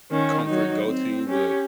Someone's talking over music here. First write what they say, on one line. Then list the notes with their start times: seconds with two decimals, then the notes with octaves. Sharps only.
comfort go to, but
0.10 D#3 C#4
0.45 F#3 D#4
0.85 C4
1.29 C#4 G4